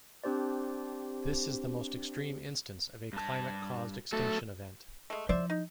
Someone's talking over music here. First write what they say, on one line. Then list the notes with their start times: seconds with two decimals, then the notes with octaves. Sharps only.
This is the most extreme instance of a climate-caused extinction event.
0.24 C4 D4 G4 C5 D5
3.13 G2 A5
4.12 F#3 A3 F#4 A4
5.10 G#3 A3
5.29 F3 E4 C5 D5 E5
5.50 D#4